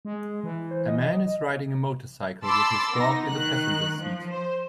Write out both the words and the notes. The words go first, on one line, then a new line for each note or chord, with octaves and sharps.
A man is riding a motorcycle with his dog in the passenager seat.
G#3
E3
C5
D#5
A5 B5 C6 D6 E6 A6
B3 D#4 A#6
D#3 F#6
F3
C5